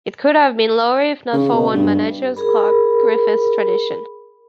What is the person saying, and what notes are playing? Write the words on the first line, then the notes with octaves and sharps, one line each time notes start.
It could have been lower if not for one of manager Clark Griffith's traditions.
C#3
B2
G2
G#4 A#4 B5